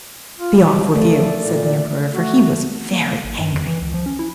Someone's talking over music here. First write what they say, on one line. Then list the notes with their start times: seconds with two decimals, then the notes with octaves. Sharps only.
'Be off with you!' said the Emperor, for he was very angry.
0.39 F4
0.58 B2
0.95 F3 A3 D5
1.39 A#2
2.13 A3 F#4
2.93 A#3
3.08 A#3
3.24 G#1
3.39 G2
3.53 F2
3.67 E3
3.82 C#2
3.94 F3
4.06 C#4
4.19 E4